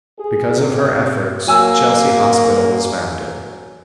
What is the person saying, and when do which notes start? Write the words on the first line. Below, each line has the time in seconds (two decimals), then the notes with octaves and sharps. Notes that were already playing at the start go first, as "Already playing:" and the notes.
Because of her efforts Chelsea Hospital was founded.
0.19 G#4
0.55 C3
1.47 F#3 A#3 G#5 E6